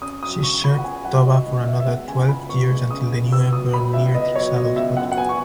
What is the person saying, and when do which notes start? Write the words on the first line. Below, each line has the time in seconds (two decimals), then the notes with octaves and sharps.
She served Toba for another twelve years until the new emperor neared his adulthood.
0.02 C#4 D#6
0.23 F#3 D#6
0.43 C#3 C#6
0.64 C#2 B5
0.78 F#5
0.84 C#4 G#5
1.05 F#3 F#5
1.25 C#3 D#5
1.46 C#2 D#5
1.67 B3 E5
1.80 E5
1.87 G#3 F#5
2.08 C#3 G#5
2.28 C#2 B5
2.49 B3 C#6
2.70 G#3
2.90 C#3 D#6
3.11 C#2
3.32 B3 E6
3.52 F#3 D#6
3.73 B2 B5
3.93 C#2 E5
4.14 B3 D#5
4.35 F#3 C#5
4.55 B2 D#5
4.76 C#2 E5
4.97 F#2 F#5
5.12 F#5
5.17 B3 G#5
5.29 C#6